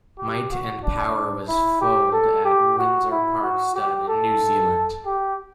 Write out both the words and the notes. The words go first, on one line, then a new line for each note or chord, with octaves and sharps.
Might and Power was foaled at Windsor Park Stud in New Zealand.
G4
F#4
D4
E4
G4
A4
G4
F#4
E4
F#4
G4
A4
G4